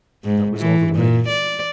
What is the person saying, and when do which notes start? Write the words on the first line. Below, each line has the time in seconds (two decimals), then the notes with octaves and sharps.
That was all the writing.
0.24 G#2
0.57 E3
0.95 A#2
1.28 D5